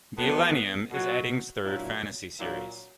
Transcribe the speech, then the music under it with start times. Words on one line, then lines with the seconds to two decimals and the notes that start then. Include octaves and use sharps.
"The Elenium" is Eddings' third fantasy series.
0.18 A2 F#3 A3 B3
0.91 B2 F#3
1.65 A#2 F#3 D4 E4
2.39 A#2 F#3 D4 E4